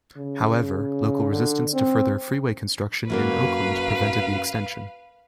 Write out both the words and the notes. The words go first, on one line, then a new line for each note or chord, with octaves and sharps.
However, local resistance to further freeway construction in Oakland prevented the extension.
C#3
D3
C4
F#2 F#3 A#3 B4 F5